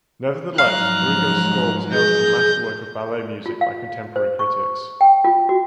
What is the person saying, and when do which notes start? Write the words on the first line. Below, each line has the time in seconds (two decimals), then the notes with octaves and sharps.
Nevertheless, Drigo's score was hailed as a masterwork of ballet music by contemporary critics.
0.58 G#2 F3 F#3 F5 A#5 F#6
1.93 G#4 G6 A#6
3.46 F4
3.61 F5
4.16 C5
4.39 C#6
5.01 G5
5.24 F4
5.49 F#4